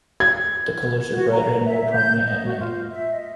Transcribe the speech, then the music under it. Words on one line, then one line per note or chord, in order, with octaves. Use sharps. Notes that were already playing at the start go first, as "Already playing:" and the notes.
The colors are brighter and more prominent at night.
G#6
F#4
A#5
E5
G6
D#5
F#4
F4
E5
D#5